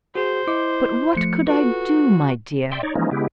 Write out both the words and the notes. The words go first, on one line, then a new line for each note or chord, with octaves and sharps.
'But what could I do, my dear?
F#4 G#4 C5
E4 D#5 D6
F3 A3 C#7
F4 F#4 A4 B4
D5 E5 G5 C6
D#4 C#5 D5
E3 F3 G#3 A#3 C#4 D#4
C#3 G#3 B3 E4 G4